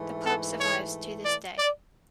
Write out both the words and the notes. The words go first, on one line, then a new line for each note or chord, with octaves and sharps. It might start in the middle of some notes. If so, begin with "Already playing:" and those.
The pub survives to this day.
Already playing: G#2 E3 A3
A4
C#5
D5
D5